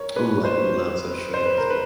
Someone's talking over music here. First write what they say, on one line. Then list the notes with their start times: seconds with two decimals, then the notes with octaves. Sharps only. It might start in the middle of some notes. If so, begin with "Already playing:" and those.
Ooh, I do love some shrimp with some
Already playing: A#4 C#5
0.16 B4
0.45 C5
1.34 C5
1.46 B4
1.58 A#4
1.70 B4